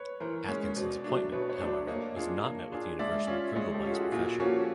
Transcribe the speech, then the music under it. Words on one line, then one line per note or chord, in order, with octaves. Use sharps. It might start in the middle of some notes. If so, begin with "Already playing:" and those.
Atkinson's appointment, however, was not met with universal approval by his profession.
Already playing: B4 C#5
E3 A#4 C5
G#3 C#4
B2 C5 D5
F#3 A3 D4
B2 B4 C#5
C#5
F#3 A3 D4 C5 D5
A#3 C#5 D#5
D4 F4 G#4
A#3
D4 F4 G#4
G#3 D5 E5
C#4 F4
G#3 C#5 D#5
G4 A4
C#4 F4
F#4 G#4
A#2 F#4 G#4
F3 A#3 C#4 F#4 G4 A4